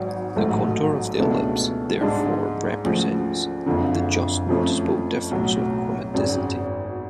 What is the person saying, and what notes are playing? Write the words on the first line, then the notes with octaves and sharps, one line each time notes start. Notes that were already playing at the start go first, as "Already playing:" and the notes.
The contour of the ellipse therefore represents the just noticeable differences of chromaticity.
Already playing: G#1 G#2 F#3
A1 G#2 F#3 A3
C#2 B2 A3 D4
G#2 G#3 D4
D2 C#3 F3
F#1 F2 D3
F2 F3 A3 C#4
B1 A2 F#3
G#1 F#2 C#3